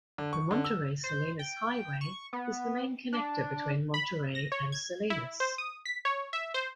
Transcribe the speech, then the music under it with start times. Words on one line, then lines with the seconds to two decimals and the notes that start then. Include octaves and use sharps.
The Monterey-Salinas Highway is the main connector between Monterey and Salinas.
0.18 D3
0.33 C#6
0.51 D3
0.64 E6
1.04 C5
1.39 G5
2.01 C#6
2.33 B3
3.13 D4
3.94 B5
4.35 A#6
4.52 C#5
4.72 G#6
5.10 E4
5.40 C5
5.58 D#6
5.85 B6
6.05 C#5
6.33 E5
6.54 C5